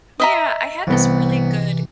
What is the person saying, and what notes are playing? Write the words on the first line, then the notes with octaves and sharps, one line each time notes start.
Yeah, I had this really good
D#5 E5 A#5
C2 C3 E3 B3